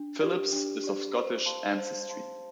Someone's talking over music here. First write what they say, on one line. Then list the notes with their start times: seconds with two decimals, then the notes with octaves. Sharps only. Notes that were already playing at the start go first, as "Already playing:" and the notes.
Phillips is of Scottish ancestry.
Already playing: D4
0.21 G4 D5
0.53 D4
0.84 G4 D5
1.14 C5
1.46 F5 A5 C6
1.77 C5
2.08 F5 A5 C6